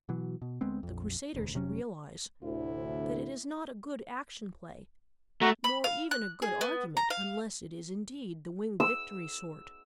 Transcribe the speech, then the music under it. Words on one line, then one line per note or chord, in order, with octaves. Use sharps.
The crusader should realize that it is not a good Action Play nor even a good argument unless it is indeed the Winged Victory sort.
B2 E3 F#3
B2
D2 G#3 B3 C4
A#1 F2
E1 D2
F1 C3 F#3 C#4
D2 A2 C3 E4
A3 F#4 A#5
B5
F5
F#6
G#4
B3
A#5
F5
E6